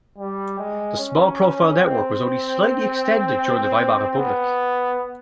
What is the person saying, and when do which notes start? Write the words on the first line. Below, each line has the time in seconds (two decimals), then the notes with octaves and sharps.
The small profile network was only slightly extended during the Weimar Republic.
0.18 G3
0.59 G#3
0.98 C#4
1.79 C4
4.18 B3